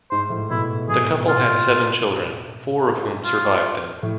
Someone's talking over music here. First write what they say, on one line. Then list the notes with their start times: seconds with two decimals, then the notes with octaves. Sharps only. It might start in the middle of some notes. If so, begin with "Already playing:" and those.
The couple had seven children, four of whom survived them.
0.11 G#2 C5
0.30 A2
0.51 B2 E4
0.89 B2 G#4
1.28 F4
3.24 F4
4.03 A2